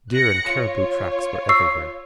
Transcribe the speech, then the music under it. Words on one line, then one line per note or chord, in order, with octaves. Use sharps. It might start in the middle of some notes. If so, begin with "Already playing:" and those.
Deer and caribou tracks were everywhere.
F#6 A#6 C#7
F4 C#5
C#6 E6 C7